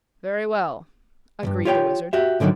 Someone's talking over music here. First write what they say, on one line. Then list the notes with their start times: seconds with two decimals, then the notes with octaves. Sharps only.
"Very well," agreed the Wizard.
1.43 C#2 G2
1.65 F4 G4 C#5 D5 G5
2.13 F#4 G4 E5
2.40 G#2 D3 D#3 F3 F#3